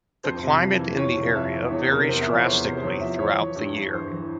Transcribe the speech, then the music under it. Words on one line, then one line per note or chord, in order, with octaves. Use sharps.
The climate in the area varies drastically throughout the year.
F2 C5
C3
F2
E3
F2 C#5
C3
F2 E5
E3
E2 C#5
C3 A#4
E2 C5
E5
F3
C#5
E2 C5
C3 C5
C5
E2 C#5
F3 E5
E3 C#5
E3
G2
G2
E3 C5
E3